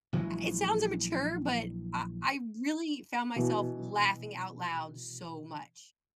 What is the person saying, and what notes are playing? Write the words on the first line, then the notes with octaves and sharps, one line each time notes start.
It sounds immature, but I I really found myself laughing out loud so much.
A#1 E3 F#3 G#3
B2 E3